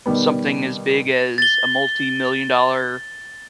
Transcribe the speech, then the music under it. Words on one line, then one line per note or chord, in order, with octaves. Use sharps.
something as big as a multimillion dollar
B2 D#3 G3 B3
A6 G7